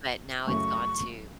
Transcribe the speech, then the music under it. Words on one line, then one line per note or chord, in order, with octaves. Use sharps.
but now it's gone to
F#2 C#3 A3 C#6